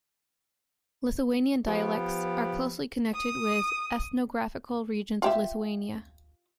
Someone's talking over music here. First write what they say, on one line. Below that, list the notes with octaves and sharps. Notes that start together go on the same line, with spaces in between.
Lithuanian dialects are closely connected with ethnographical regions of Lithuania.
F3 B3 G4
D#6
F4 G4 E5